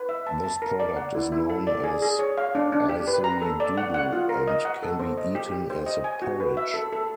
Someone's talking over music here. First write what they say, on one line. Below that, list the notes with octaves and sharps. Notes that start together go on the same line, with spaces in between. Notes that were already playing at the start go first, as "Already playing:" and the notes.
This product is known as isidudu and can be eaten as a porridge.
Already playing: B4
E5
A5
A5
A#4
D5
F#5
E4
E4
A4
D5
G#4
G#4
C#5
F5
D4
D4
G4
B4
A#5
A4
D5
F#5
F#5
F4
A#4
D#5
F#5
A4
C5
D#5
G4
G4
C5
D#5
G#5
F#4
B4
E5
A4
A4